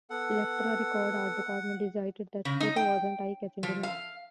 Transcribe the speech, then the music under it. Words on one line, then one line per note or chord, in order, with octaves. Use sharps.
Elektra Records art department decided that photo wasn't eye-catching enough.
B3 A4 F#5
C#3
D#4
G5
F3
F5